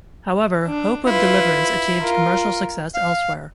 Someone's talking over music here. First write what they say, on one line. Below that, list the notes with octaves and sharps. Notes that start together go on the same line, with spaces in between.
However, "Hope of Deliverance" achieved commercial success elsewhere.
D4
E4 F4 B4
F4 A#4
F5